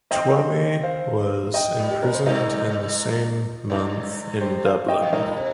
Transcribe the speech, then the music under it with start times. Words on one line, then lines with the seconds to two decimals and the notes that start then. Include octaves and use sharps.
Twomey was imprisoned in the same month in Dublin.
0.11 C4 D#5 G5
0.83 C5 F5
1.54 D#5 G5
1.78 A#2
1.90 G4
2.02 A#2 A#4
2.15 C5
2.26 G2 A#4 D#5
3.70 G2
4.41 G4 C5
4.65 C5 F5
4.88 D#5 G5
5.01 F2 F5
5.13 G2 A#4 D#5
5.26 A#2
5.36 C3